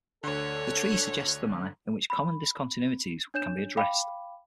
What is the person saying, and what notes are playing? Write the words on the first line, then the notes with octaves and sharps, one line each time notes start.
The trees suggest the manner in which common discontinuities can be addressed.
D2 D3 A4 C#5
B5
D4 C#5 G6 E7
F5 G5 B5 D6